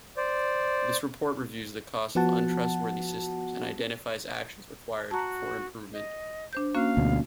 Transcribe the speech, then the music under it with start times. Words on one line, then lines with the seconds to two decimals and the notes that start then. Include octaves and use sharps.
This report reviews the cost of un-trustworthy systems and identifies actions required for improvement.
0.17 C5 D5
2.15 F3 B3 F#4 F#5 A5
5.11 F#4 A5 A#5
5.93 D#5
6.53 D4 C5 G6
6.75 A#3 C#4 F#4 F5
6.97 D2 B2